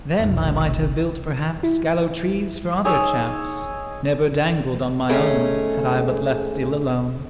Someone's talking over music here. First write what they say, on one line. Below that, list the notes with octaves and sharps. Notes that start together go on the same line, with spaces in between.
"Then I might have built perhaps Gallows-trees for other chaps, Never dangled on my own, Had I but left ill alone."
F1 B1
E4
D#4 G#4 C#5 E6
G#2 A3 C#4 G#4